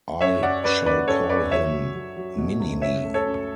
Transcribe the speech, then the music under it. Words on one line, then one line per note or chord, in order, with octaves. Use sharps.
I shall call him... Mini-Me.
F#2 C#5 E5
F#2 D5 F#5
F#2 B4 D5
F#2 B4 D5
F#2 A4 C#5
F#2 B4 D5
F#3 C#5 E5
F#3
F#3
F#3
B2
C#2
F#2 C#5 E5
A3
A4 C#5
F#2